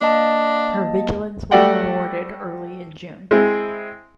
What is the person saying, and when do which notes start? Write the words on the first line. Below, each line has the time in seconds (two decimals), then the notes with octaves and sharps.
Her vigilance was rewarded early in June.
0.01 A#3 D4 D#5 A5
1.51 G3 A3 F#4 D5 F#5 G5
3.31 G#3 C4 E4 G#4